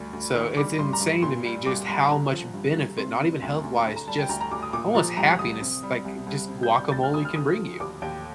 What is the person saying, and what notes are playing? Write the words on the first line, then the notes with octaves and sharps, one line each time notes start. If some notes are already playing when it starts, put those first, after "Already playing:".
So it's insane to me just how much benefit, not even health-wise, just almost happiness, like just guacamole can bring you.
Already playing: D2 G3
D2
D#3 F6
G3 D6
G2 C6
A#5
G2
A#2 C6
G3
C2 D6
C2 C6
A5
D3 A#5
F3
G2
G2
C3 C6
G3
D2
D2
D3
A#5
G3 A5
G5
D2 A#5
A#5
D2 D6
D#6
A#2 D6
F3 A#5
C2 A#5
C2 D#6
C3
G3
C2
C2
C3
G6
G3
G6
D2 A6
F6
D2 D#6
F6
D3 D#6
F3
D#2 D6
D#2 G5